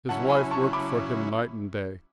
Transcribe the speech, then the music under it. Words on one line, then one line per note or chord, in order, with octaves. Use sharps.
His wife worked for him night and day.
C#3 F#3 C#4 E4 F#5 A5
G#5 B5
A5 C#6
B5 D6